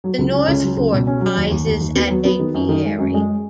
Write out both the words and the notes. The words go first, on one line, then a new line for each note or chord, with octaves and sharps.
The North Fork rises at Apiary.
F#3
C#2
C#4
C#2
F#3
C#2
B2
C#4
F#3
D#2
D#2
D#2
D#2
B3
F#3
B3
D#3
F#2
D#3
G#3
F#2
G#3